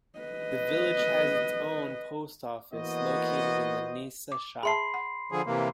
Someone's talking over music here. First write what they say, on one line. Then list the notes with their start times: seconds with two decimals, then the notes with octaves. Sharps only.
The village has its own Post Office located in the Nisa shop.
0.19 B4 D#5
2.73 E3 A#3 B3 F#4 C5 D#5
4.32 D6
4.63 G#4 E5 A5 B5 C6 C7
4.94 F#5
5.32 D3 F3 G#4
5.46 C3 E3 A#3